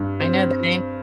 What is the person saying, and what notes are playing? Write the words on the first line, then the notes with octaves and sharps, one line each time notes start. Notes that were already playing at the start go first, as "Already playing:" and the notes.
I know the name
Already playing: G2
C4